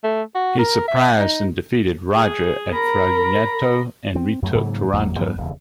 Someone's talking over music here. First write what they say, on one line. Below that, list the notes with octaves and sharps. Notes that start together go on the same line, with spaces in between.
He surprised and defeated Roger at Fragneto and retook Taranto.
A3
F#4
A#4
E5
D#4
G#4
A#4 A#5 B5
C4
F#2 F#3 G#3 A3
G#2 C#3 F#3 A#3
G1 E2 F#3 A#3
G2 F3 G3 B3
D#1 E2 C#3